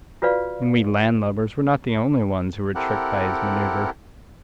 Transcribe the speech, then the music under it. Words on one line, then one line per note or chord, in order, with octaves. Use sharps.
And we land-lubbers were not the only ones he tricked by his manoeuvre.
F4 F#4 B4 D5 F5
C4 E4 G4 A4 A#4 F#5